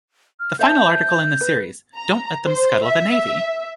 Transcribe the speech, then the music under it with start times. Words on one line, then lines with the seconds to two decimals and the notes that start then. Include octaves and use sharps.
The final article in the series, Don't Let Them Scuttle the Navy!
0.40 F6
0.59 C5 E5 A5 G6
1.41 B4
1.97 A#5
2.46 C5
2.85 E5